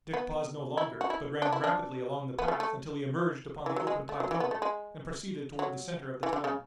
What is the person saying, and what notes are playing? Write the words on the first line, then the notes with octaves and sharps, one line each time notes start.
Dick paused no longer, but ran rapidly along the path until he emerged upon the open plateau and proceeded toward the center of the town.
B3
E4
F#4
E4
D4
E4
D4
B3
A3
A3
E3
F#3
G#3
A3
F#3
E3
B3
A3
G#3
F#3
E3
D3
C#3